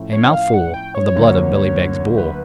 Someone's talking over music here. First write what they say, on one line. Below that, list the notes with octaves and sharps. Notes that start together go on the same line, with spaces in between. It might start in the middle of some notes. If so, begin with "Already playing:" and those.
"A mouthful of the blood of Billy Beg's bull."
Already playing: A2 F3 A3 C#4 E4
C#5
F5
F#5
G5
C#5
D2 D3 F#3 A#3
B4